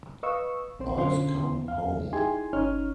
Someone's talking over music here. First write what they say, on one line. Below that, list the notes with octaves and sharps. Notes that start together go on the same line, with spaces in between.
I've come home.
B4 D#5 F5 C#6 E6
A#1 C4 C5
B2 D3 C#4 F4 C5 C6
E2 F5
D#4 E4 G4 G#4 G#5 C6
G1 C#4 D#4 C#5 F6